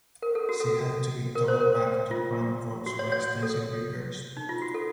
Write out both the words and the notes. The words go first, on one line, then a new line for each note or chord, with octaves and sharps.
She had to be towed back to Grand Forks for extensive repairs.
A#4
A4
F#4
A4
A#4
C5
A#4
F4
F#4
C#5
C#5
A4
D#4
F4
F#4
A4